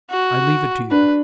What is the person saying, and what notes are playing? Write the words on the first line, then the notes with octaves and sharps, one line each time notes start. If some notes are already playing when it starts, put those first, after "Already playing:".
I leave it to you.
F#4
D4 B4